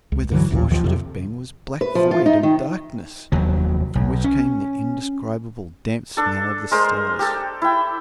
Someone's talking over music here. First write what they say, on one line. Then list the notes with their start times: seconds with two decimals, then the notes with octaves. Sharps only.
Where the floor should have been was black void and darkness, from which came the indescribable, damp smell of the cellars.
0.12 C#2
0.31 G2 D3 E3 F#3
0.51 A1 D#2 A#2
0.70 D#2 D#3 F3
0.84 F2 C3
1.81 B4
1.95 F3
2.11 F4
2.26 D#4
2.43 D#3
3.32 F1 D#2 F#3
3.95 B1
4.24 C#4
6.17 D4 A4
6.71 G#3 A#4 C5
7.19 G4 A4
7.62 E4 G5